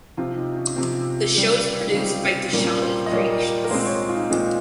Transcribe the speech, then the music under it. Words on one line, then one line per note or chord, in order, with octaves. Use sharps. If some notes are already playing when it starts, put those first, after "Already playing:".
The show is produced by Dashami Creations.
C3 F3 C4 F4
D#4
C#4
C3 F3 C4
C#3 G3 C4
F4
D#4
C#3 G3 C4 C#4
C4
A#2 G3 A#3 C#4
C5
D#5
A#2 G3 A#3 C#5
A#4
A#2 G#3 C4 C5
C#5
F4
D#4
A#2 G#3 C4